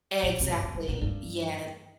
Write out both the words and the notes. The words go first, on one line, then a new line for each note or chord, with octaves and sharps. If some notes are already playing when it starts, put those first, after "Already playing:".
Exactly, yeah.
A#2
C3
A#2
G2
F2
G2
A#2
G2